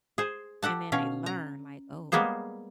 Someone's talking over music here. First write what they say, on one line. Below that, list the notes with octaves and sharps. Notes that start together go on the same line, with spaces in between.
and then they learn, like, "Oh"
G#4 C5
G4 A4 F#5 A5
B2 C#4 F5
A#5
G3 G#3 A#3 B3 G#4 C5